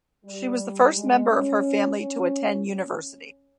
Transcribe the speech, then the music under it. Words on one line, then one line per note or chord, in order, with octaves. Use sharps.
She was the first member of her family to attend university.
G3
G#3
C#4
C#4